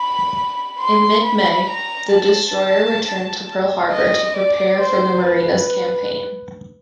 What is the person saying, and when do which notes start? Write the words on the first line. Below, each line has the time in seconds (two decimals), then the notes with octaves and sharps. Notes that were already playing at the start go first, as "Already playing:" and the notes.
In mid-May, the destroyer returned to Pearl Harbor to prepare for the Marianas campaign.
Already playing: B5
0.80 C6
1.24 B5
1.69 A#5
2.14 A5
3.91 D#5
4.36 D5
4.81 C5
5.25 B4